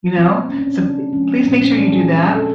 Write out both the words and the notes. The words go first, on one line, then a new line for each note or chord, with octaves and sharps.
You know, so p please make sure you do that,
B2 C4
G3 A#3 C#4
D4
C#4
C#3 D4
F3 G#3 C#4
A#2 C4
C#4
F3 G#3 D4
G#4
C#3
A4